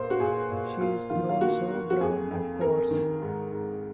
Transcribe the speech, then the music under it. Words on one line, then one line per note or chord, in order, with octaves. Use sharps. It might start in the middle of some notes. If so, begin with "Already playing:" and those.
She is grown so brown and coarse!
Already playing: A#2 A#3 C5
F#4
A#2 G#4
A#2
A#3 F4
D#3 F4
F4
A#3 F#4
A#3
F#4
F2 G#4
F2
F2 A#4
D#3
G#2
G#2